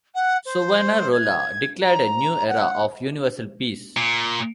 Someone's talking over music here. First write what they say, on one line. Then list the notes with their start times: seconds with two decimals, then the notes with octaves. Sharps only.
Savonarola declared a new era of universal peace.
0.14 F#5
0.45 C5
1.12 G#6
1.82 A#5
2.48 F#5
3.97 A#2